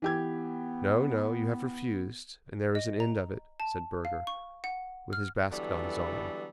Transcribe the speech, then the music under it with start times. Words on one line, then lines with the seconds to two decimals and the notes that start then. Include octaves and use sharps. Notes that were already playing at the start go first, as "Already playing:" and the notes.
"No, no; you have refused, and there is an end of it," said Burger, with his basket on his arm.
0.02 E3 B3 G4 G#6
2.75 D#5
3.00 A#5
3.60 A5
4.05 F5
4.27 C#6
4.64 F#5
5.13 F6
5.51 D3 E3 F#3 G3 B3 A4